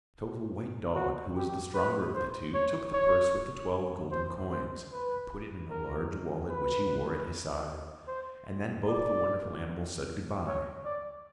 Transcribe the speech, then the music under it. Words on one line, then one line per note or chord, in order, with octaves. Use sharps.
So the white dog, who was the stronger of the two, took the purse with the twelve golden coins, and put it in a large wallet which he wore at his side, and then both the wonderful animals said good-bye.
F#4
G4
B4
C5
C#5
C#5
C5
C5
B4
A#4
B4
C5
D5
C#5
D5